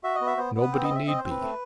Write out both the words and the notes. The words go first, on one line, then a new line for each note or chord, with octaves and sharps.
'Nobody need be.
F#4 E5
D#5
B3
E5
B3 C5
B3
B4
C4 C5
D#5
C4
E5
C4 D#5
C5
C4
B4
A3